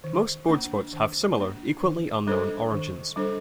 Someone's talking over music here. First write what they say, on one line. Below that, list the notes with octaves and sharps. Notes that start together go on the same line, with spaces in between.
Most boardsports have similar, equally unknown origins.
D#3
A#3 D4
D#3
A#3 D4
D#3
G3 D4 A4 C5
D#3
G3 D4 A4 C5